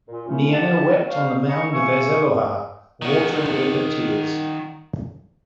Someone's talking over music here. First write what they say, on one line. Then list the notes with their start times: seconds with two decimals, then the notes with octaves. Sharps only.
Nienna wept on the mound of Ezellohar, watering it with her tears.
0.08 A#2
0.27 D#2 A2 A3 C#4
0.53 F2 G4 E5 F#5 G5 A5
1.08 F#4 C5 F5
1.49 D#5 G#5 A#5 B5 C#6
1.72 E5 F5 G#5 C#6
3.02 D#3 F#4